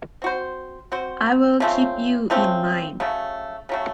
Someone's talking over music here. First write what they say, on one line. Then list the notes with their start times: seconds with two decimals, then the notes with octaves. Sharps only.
I'll keep you in mind.
0.22 C4 F#4 C5
0.92 C4 F#4 C5
1.60 C#3 F3 A3 C4
2.30 C#3 F3 A3 C4
3.00 C#3 F#3 A3
3.69 C#3 F#3 A3